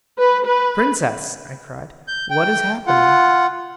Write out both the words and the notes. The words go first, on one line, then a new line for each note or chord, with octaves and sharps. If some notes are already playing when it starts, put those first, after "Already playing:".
"Princess!" I cried, "what is happening?"
B4
B4
G6
G5
F4 F#5